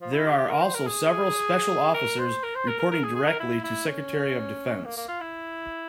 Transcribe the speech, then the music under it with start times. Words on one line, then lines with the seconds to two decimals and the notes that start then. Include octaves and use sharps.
There are also several special officers reporting directly to Secretary of Defense.
0.01 F3
0.13 E4
0.26 G4
0.38 G4
0.50 A#4
0.62 C5
0.74 A#4
0.86 G#4
1.94 A#4
2.19 C5
2.43 A#4
2.55 C5
2.67 A#4
2.80 A#4
2.91 A#4
3.03 G#4
3.15 G#4
3.27 A#4
3.40 E4
3.64 E4
3.88 C#4
4.85 A#3
4.97 A#3
5.08 F4
5.21 E4